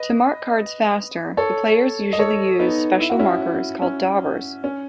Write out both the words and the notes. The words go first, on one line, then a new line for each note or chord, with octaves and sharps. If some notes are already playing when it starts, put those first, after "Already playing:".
To mark cards faster the players usually use special markers called "daubers".
Already playing: B4 D#5
A4 C#5
D#5
A4 C#5
B3 D#4
E4
F#4
C#4 E4
C#4
C#4